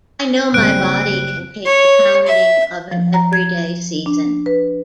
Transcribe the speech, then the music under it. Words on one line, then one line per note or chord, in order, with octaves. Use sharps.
I know my body can take the pounding of an everyday season.
F#1 G3 C4 F#6 D7
C#5
E5
F3
A#5
G#6
D4
B4